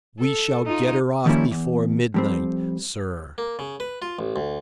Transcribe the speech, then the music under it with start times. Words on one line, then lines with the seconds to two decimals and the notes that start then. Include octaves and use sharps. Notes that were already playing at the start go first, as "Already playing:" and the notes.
"We shall get her off before midnight, sir."
0.20 A4
0.66 D#4 F4
1.26 D#3 F3 G3 A#3 C#4 E4
1.51 E2
2.14 F2 G3 C4
3.38 A#3
3.59 C#3
3.80 B4
4.02 F4
4.19 A1
4.36 D2